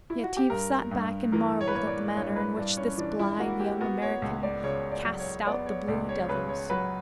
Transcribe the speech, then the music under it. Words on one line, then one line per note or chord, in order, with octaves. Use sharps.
Yetive sat back and marvelled at the manner in which this blithe young American cast out the "blue devils."
E4
F#4
G4
G2 A#4
G2
E3 A#4
C#5
B4
A#3 C#5
D5
G2 C#5
B4
G2 D4
C#4
E3 D4
E4
A#3 F#4
G4
B3 F#4
C#5
C#2
D5
C#3 C#5
D5
F#3
C#5
B3 D5
C#5
C#2 D5
C#5
C#3 B4
C#5
F#3 B4